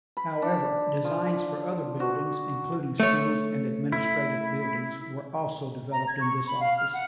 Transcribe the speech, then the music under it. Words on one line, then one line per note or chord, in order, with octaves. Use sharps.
However, designs for other buildings, including schools and administrative buildings, were also developed in this office.
B5
D4
F3
F#4
A3 C#5
E4
A#5
G#6
C#6
B5
F5
F6
F#5